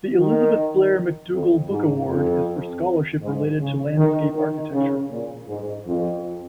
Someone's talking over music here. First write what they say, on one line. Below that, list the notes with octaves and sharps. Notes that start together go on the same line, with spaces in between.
The "Elisabeth Blair MacDougall Book Award" is for scholarship related to landscape architecture.
D#3
F2
G#2
F2
G#2
C#3
D#3
D#3
C#3
A#2
G#2
F2